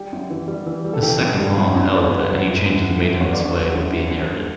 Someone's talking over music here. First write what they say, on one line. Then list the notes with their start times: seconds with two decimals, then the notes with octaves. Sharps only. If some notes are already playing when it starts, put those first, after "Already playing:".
His second law held that any changes made in this way would be inherited.
Already playing: G3 G4
0.13 F#2
0.30 E3
0.48 G3
0.66 E3
0.85 G3
0.93 A4
1.03 E3 G4
1.20 F#2
1.39 G3
1.57 F#2
1.76 F#2
1.94 G3 D5
2.04 C#5
2.11 F#2 B4
2.30 F#3
2.48 F#2
2.66 F#2
2.84 D3
3.02 F#2
3.21 F#3 C#5
3.33 D3 D5
3.46 C#5
3.57 F#3
3.75 F#2
3.93 F#2
4.11 F#2
4.29 G2